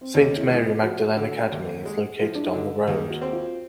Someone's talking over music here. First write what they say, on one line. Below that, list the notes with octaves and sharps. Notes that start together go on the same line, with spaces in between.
Saint Mary Magdalene Academy is located on the road.
C4
D#2 C#4
E4
G#3
F4
F#4
F3 F#4
D3
D#2
G#3
F3 E4
D4
D#4
D3
D#2 G#4
F#4
C4
F4